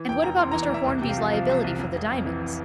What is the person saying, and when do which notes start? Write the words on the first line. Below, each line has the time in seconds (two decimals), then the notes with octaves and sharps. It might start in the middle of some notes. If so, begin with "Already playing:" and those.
"And what about Mr. Hornby's liability for the diamonds?"
Already playing: E3
0.09 F1 G5
0.24 F1 A#5
0.39 E2 C6
0.51 A#5
0.55 E3
0.63 D5
0.71 E2 E5
0.86 C2
1.02 C3 G5
1.09 F5
1.18 F3
1.33 F3 F5
1.49 C2
1.64 C2
1.79 F1
1.95 F1
2.11 F2
2.26 E3